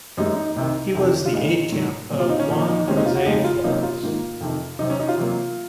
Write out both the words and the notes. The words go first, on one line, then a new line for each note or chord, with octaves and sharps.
He was the aide-camp of Juan Jose Flores.
F#2 D#3 G#3 D#4
D#4
C2 C3 D#3
F2 C3 D#3
F4
C2 A#2 G#3 D#4
G#2 D#3 F#3
A#2 F#3 C4
F4
D#4
C#4
A#2 F3 A#3 D#4
D#4
D#2 D#3 G#3 C4 C#4
D#4
F4
F#4
F2 C#3 G#3 D#4
F4
C3 F#3 A#3 C#4 D#4
F4
G#2 D#3 A#3
F2 C3 D#3
C3 F#3 C4 D#4
C#4
D#4
F4
C3 F#3 A#3